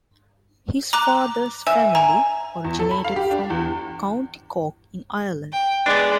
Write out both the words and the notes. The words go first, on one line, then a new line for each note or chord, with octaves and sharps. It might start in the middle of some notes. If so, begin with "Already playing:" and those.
His father's family originated from County Cork in Ireland.
A#5 D6 F#6
E5 G#5
G#5 A#5
E2
A4
B5
F5
G4
D4
E2
G5
G#3 B3 D4 D5